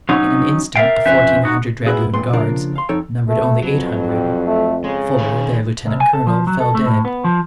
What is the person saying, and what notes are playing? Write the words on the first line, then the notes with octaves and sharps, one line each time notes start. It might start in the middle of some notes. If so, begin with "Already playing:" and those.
In an instant the fourteen hundred dragoon guards numbered only eight hundred. Fuller, their lieutenant-colonel, fell dead.
F#3 C#4 D#4
A#4 D5 E5 F5 G5
F2 C#4 B4 C5 E5
D#4 F#4
G#3 A#3 B3 E4 F#4 G#4
F#2 A#2 G3 B3 C6
C#3 F3 A#3 D4 F4 A#4
F5 C6
F2 F3 D#4 A4 C#5 G5
A3
F2 B2 F#3
G3
A3
C#3 G#3
D#3 G3 G#4
C2
G#5
A4
F3
F#3
A4
A3
A2
B3
F3